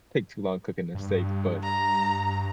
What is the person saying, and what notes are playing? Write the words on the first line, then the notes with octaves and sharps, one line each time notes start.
take too long cooking a steak, but
G2
A#5